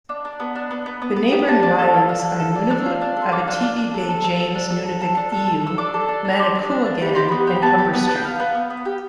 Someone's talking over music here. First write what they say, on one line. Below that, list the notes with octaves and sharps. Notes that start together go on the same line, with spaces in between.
The neighbouring ridings are Nunavut, Abitibi-Baie-James-Nunavik-Eeyou, Manicouagan, and Humber-St.
D4
D4
B3
D4
B3
B3
B3
B3
G4
D4 A5
D4
A4
F4
D4
A4
A4
D4
D4 E6
F4
D4
A4
C6
F4 D6
D4
D4
D4
A4
A4
A4
A4
D4
A4
A4
A4
D4
A4
A4
A4 E6
D4 D6
A4
D4
D4
G4 C6
D4
D4
D4
G4 B5
G4 C6
B3 B5
G4
B5
B3 A5
G4
B3
B3 A5
G5
B3 F5
B3
B3
B3
G4